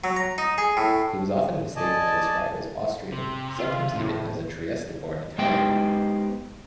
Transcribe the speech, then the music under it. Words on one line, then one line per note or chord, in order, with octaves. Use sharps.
He was often mistakenly described as Austrian, sometimes even as a Trieste-born Italian.
F#3
A#5
D#4
G#4
A2
D5 D#5 G#5 A5
C3
F4
A2
G#3 B3 D#4 G4 C5 G5